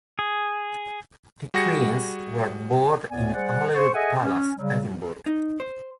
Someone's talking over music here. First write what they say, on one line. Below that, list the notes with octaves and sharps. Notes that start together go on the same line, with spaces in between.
The twins were born in Holyrood Palace, Edinburgh.
G#4
G3 F#4 G#4 A#6 C#7
D2 A2 B3 D5 G#5
G3 G#4 C5 D5 F#5
C5 C#6
G#4 A4 D#5 E5 F#5 G#5
C#4
C#3 F#3 G3
D#4
C5